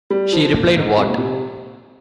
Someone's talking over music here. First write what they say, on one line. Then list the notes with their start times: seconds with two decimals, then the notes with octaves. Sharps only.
She replied: What!
0.10 G3
0.33 F3
0.55 A#2
0.76 G#2
0.98 C3
1.08 A#2
1.18 C3